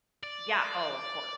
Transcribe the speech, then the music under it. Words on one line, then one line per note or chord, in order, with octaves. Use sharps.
Yeah, oh, of cour
D5